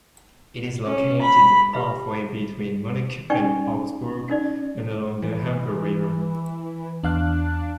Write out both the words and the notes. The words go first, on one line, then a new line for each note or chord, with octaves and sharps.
It is located halfway between Munich and Augsburg, and along the Amper river.
C#4
B5
G4 B4 E5 B5
C#4 D#4 D5 G5 G#5 C#6
C#4 D#4 D5
E3
E2 D4 F5 F#6